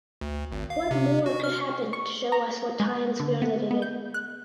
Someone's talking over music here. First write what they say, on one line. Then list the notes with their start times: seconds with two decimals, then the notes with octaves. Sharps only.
What more could happen to show us what times we are living in?
0.21 D2
0.52 G#1
0.70 F5
0.91 C3
1.26 F#4
1.44 F6
1.93 C#6
2.32 A#5
2.80 G#3
3.20 D3
3.42 B3
3.71 B3
3.82 G6
4.14 F#6